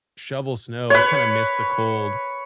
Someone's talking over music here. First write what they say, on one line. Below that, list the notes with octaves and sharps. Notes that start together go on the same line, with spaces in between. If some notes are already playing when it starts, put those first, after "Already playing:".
shovel snow, I kinda miss the cold.
B4 C#5